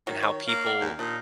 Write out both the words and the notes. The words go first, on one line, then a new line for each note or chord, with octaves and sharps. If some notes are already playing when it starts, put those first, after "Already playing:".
and how people
D#3 F#3
C#5
A#3 F5
D5
D#2
A#2 D4 D#4